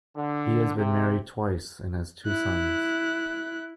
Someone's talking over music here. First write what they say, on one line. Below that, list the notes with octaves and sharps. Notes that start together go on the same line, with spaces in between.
He has been married twice and has two sons.
D3
C3
E4 F#6